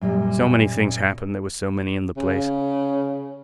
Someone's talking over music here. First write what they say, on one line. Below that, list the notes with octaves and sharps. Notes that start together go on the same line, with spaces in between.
So many things happened--there were so many in the place.
F#2 A#2 G3
C#3